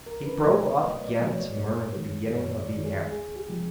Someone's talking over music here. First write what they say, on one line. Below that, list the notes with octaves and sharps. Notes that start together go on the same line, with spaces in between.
He broke off again to murmur the beginning of the air.
C2 A#4
B4
B2 F#3 A3 C#5
D5
C2 D#5
D5
B2 F#3 A3
C#5
F#2
D#3 G#3
F#2 C#5
D5
D#3 G#3
G#4
C#2 G#4
G4
C3 F3 G#3